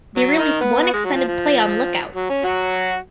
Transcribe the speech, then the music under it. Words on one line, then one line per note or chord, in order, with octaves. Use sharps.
They released one extended play on Lookout!
F#3
D#3 D#4
B3
B3
G#3
F#3
F3
F3
F#3
C#4
F#3 F#4